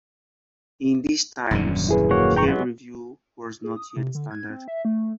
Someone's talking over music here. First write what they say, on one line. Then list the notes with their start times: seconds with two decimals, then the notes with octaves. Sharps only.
In these times, peer-review was not yet standard.
1.51 D#1 F#2 D3
1.89 E4 G#4 B4
2.11 A#3 F#4 C#5
2.36 G5 A#5 C#6
2.48 F#3 G#3 B3
3.64 G#4
3.76 D#6
3.96 C3
4.15 D3
4.31 G#6
4.50 C4
4.68 E5
4.85 A3